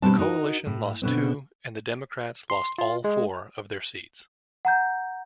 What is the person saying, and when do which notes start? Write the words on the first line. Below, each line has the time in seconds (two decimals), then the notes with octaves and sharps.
The Coalition lost two, and the Democrats lost all four of their seats.
0.02 B2 G3 C4 D4 A5
0.19 D#4 F#4 A#4
0.66 A2
1.02 B2 D3 C4
2.50 C6
2.78 F4
3.04 G#3
4.65 F#5 A#5 G6